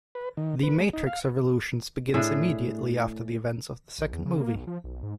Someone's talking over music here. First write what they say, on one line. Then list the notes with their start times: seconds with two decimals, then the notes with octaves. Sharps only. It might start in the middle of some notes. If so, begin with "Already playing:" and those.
"The Matrix Revolutions" begins immediately after the events of the second movie.
0.15 B4
0.37 D#3
0.63 B4
0.80 G#3
0.93 D#4
1.07 F5
2.14 A2 D4 G#4 E5
3.98 A#1
4.13 E2
4.26 C#3
4.41 A#3
4.56 B1
4.67 F3
4.84 B1
5.03 G#2